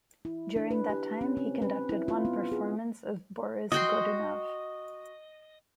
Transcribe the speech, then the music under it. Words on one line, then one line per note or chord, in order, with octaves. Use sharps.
During that time, he conducted one performance of "Boris Godunov".
E4
D4
B4
G4
C#4
C4
B4
E4
F4
B3
G#4
F#4 D#5 G5 C6